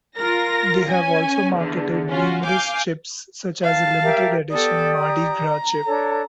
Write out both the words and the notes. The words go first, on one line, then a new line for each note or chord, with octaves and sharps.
They have also marketed numerous chips such as a limited edition Mardi Gras chip.
F4 A#4 A#6
C#4 G#5
E2 D3
C#4 F4 F#4
F5 G#5 D6 G6
F5 A5
G4 A#4 E5
B3 G4 A4 D5 D#6
A#5
D4 A4 C#5